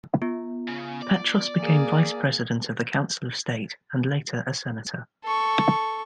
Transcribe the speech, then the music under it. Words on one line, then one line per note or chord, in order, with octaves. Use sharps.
Petros became vice-president of the Council of State, and later a senator.
B3 F4
C#3
D5
A#3 G#4
A4 C#6